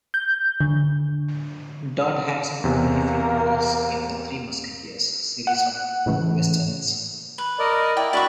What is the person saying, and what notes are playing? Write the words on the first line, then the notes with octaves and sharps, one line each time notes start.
Dodd had some early film roles in "The Three Mesquiteers" series of westerns.
G6
D3
E2 C3 A#3
F#5 F#6
A2 C#3 E3 A3
B4
A#4 D5 D#5
E4 D5 G5
D4 F#4 D5 E5 B5 C#6